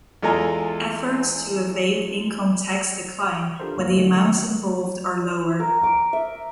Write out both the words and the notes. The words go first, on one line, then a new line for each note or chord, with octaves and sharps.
Efforts to evade income tax decline when the amounts involved are lower.
E2 G#3 F4 A4 G#5 A#5
D4 F4 G4 A4 A#4 C5
D2 G2 A3 A#3 F4 F5
D3 D#3 F#3 G#3 A3
A#4
D6
E5